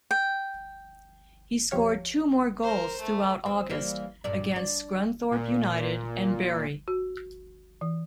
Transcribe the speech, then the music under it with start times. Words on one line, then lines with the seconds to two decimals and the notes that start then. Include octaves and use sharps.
He scored two more goals throughout August against Scunthorpe United and Bury.
0.11 G5
1.71 E2 F3 G4 C#5 F5
2.62 A#4 C5
3.00 A3
3.46 C4
3.69 E3 G3 A#3
4.24 G2 A#2 D5
4.56 D4
5.31 A#2
6.88 F#4
7.81 E3